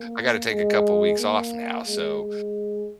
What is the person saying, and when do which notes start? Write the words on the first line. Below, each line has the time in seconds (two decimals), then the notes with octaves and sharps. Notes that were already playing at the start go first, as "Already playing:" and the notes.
"I gotta take a couple weeks off now," so
Already playing: A#3
0.49 G#3
1.18 A#3
1.86 G#3
2.21 G#3